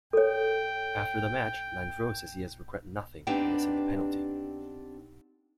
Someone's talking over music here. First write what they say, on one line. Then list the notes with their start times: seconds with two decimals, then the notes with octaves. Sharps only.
After the match, Landreau says he has regret nothing on missing the penalty.
0.13 A4 C#5 G5
3.27 B3 C4 D4 D#4 G4 G5